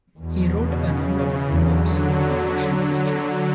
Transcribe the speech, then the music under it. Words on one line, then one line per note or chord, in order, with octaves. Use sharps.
He wrote a number of books on Russian history.
E2 B2
C#3
C#3 E3
E2 D3 F#3